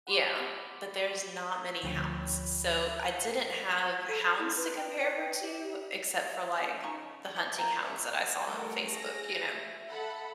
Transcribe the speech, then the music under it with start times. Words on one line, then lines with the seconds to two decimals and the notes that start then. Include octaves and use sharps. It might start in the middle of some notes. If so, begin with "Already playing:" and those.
Yeah, but there's not many hounds, so I didn't have hounds to compare her to, except for like the hunting hounds that I saw on Facebook, you know,
0.07 F#5 B5 C6 D6
1.83 D2 D3 F3 C#5 G5 B5
4.08 A4
4.22 B5
4.39 E4
4.57 B4
4.77 G5
5.03 B4
5.19 G5
5.40 G4
6.56 C4 C#4 A5
6.84 C#3 D#4 C#6
7.36 D3 E3 G4
7.58 A#3 G5 A#5
7.84 A3 A#3 C#4 D4
8.45 G3 A3 A#4 F#5
8.92 G#4 A#6
9.50 E5
9.88 A4 F#5 B5